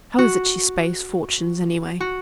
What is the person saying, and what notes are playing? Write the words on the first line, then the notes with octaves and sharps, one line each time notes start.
How is it she spaes fortunes any way?
F#4
F#4